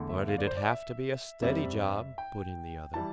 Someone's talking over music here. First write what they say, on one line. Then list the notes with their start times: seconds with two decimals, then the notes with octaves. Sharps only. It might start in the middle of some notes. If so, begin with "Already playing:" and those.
"But it'd have to be a steady job," put in the other.
Already playing: E2 D3 A3
0.09 E5
0.28 F5
0.38 D5
0.47 C5
0.57 D5
0.66 E5
1.42 F2 C3 G3 C4 E5
2.18 G5
2.94 E3 G3 A5